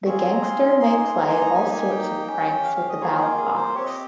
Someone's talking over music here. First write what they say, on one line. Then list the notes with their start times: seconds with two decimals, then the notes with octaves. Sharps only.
The gangster may play all sorts of pranks with the ballot box.
0.06 C4 F4 G#4 C#6
0.19 C6
0.31 A#5
0.43 C6
0.80 A#3 D#4 G#4 C6
0.98 C6
1.17 A#5
1.30 C6
1.41 A#5
1.54 A#3 D#4 G4 G#5
1.72 G#5
1.90 G5
2.27 C#4 G4
2.64 F5
2.76 F5
2.89 D#5
3.01 A#3 F4 G#4 C#5
3.20 A#4
3.37 G#4
3.57 C5
3.75 C4 G4 C#5
3.85 D#5